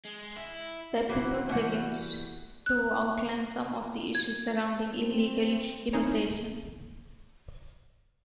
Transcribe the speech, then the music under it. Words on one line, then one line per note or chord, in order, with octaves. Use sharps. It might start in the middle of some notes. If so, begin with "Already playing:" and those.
The episode begins to outline some of the issues surrounding illegal immigration.
G#3
E4
E3 A#3 E4 F#4 B4 C5
B2 E3 G3 F#4 F#5
F#6
G#6
C4
C4 D#4 E4 G#4 A#4 C#5